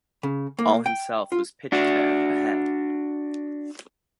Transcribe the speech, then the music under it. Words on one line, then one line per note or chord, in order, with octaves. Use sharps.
All himself was pitched there, ahead.
C#3
A#3
G5
F4
D4 F#4